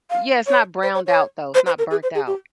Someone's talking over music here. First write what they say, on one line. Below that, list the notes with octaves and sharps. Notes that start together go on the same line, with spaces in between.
Yeah, it's not browned out though, it's not burnt out.
F5
C#5
C5
C#5
C#5
C5
C5
A#4
G#4
C5
G#4
G4